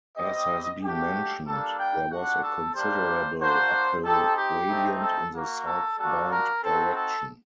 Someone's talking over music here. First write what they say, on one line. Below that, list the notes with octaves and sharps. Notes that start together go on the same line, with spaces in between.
As has been mentioned, there was a considerable uphill gradient in the southbound direction.
G3 C4 G4 D#5
A3 D4 F#4 G4
G3 A#3 D4 A4
G5
G3 D4 F#4 F#5
A4
G3 A#3 D4 G4 C5
A#3 D4 F#4 C5
C4 D#4 G4 A4
G4
A3 C4 D#4
A4
A#3 F#4
A4
G3 A#3 D4 F#4 A4
A#4
C4 D#4 F#4 A4
A4